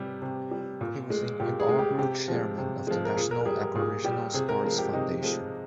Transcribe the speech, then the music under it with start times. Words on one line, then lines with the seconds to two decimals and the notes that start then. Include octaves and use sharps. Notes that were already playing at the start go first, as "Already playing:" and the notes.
He was the inaugural chairman of the National Aboriginal Sports Foundation.
Already playing: C3 G3 G4
0.22 C3
0.51 G3
0.81 A#2
1.10 G#3
1.40 A#2 G4
1.60 G#4
1.69 G#3
1.79 G4
1.98 C3 G4
2.28 F3 G#3
2.58 C3
2.87 F3 G#3
3.05 A#4
3.16 A#2 G#4
3.31 A#4
3.41 A#4
3.46 G3 G#4
3.60 A#4
3.75 A#2 G#4
4.05 G3 G4
4.34 C3 G#4
4.49 A#4
4.64 F3 G#3 A#4
4.78 G4
4.93 C3 D#4
5.22 F3 G#3